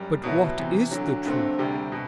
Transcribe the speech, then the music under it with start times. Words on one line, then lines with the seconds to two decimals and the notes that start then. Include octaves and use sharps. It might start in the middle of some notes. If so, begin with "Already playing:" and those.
"But what is the truth?"
Already playing: F#2 G3
0.23 B2 F#3 B3 E4
0.57 E2 C3 E3
0.91 D2 D3 F#3
1.24 G2 D3 A3 C4
1.59 D2 C3 G3
1.92 B2